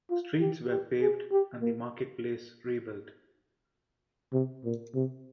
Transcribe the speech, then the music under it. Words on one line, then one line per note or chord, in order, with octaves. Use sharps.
Streets were paved and the marketplace rebuilt.
F4
G4
G4
G#4
G4
A#3
C3
A#2
C3